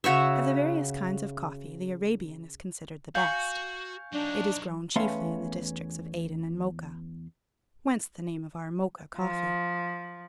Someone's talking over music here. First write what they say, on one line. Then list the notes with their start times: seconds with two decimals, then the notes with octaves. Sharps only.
Of the various kinds of coffee the Arabian is considered the best. It is grown chiefly in the districts of Aden and Mocha; whence the name of our Mocha coffee.
0.04 C#3 F#4 C#5 E5
3.15 F#4 F5 G#5 C#6 G6
4.13 F#3 D4 D#4
4.96 E2 A3 B3 C#4 F5 C6
9.17 F3